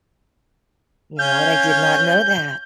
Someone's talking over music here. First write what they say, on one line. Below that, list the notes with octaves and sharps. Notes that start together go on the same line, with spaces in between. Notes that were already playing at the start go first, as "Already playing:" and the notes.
You know what? I did not know that.
C#4 F5 G6